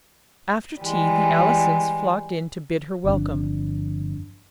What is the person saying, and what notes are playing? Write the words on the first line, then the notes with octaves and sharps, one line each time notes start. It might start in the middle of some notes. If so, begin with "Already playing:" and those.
After tea the Allisons flocked in to bid her welcome.
E3 G3 G#3
G1 F2 D3 D4